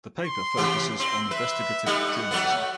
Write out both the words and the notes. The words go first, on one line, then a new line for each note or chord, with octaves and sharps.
The paper focuses on investigative journalism.
C6
C3 E3 G4
C4 C6
B4 E5
G3 A3 D#4 F#5
F#3 A3 B3